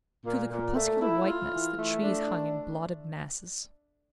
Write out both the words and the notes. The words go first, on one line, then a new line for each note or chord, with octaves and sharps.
Through the crepuscular whiteness the trees hung in blotted masses.
A#2
A#2
A3
E4
F4
E3
A3
D4